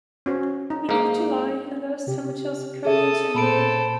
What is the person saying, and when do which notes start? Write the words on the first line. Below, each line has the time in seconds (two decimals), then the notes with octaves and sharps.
Week of July and the lowest temperatures occurring in January.
0.26 C#4 F#4 C5
0.70 D#4
0.89 G#2 A#3 D#4
2.07 C3 G4
2.85 G#4 A4 E5 D#6
3.35 A#2 A4 C5 A5 B5 D7